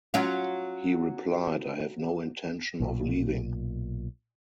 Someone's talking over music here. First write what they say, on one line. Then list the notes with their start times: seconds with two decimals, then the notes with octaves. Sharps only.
He replied, I have no intention of leaving.
0.14 F#3 C#4 F4
2.80 B1 A#2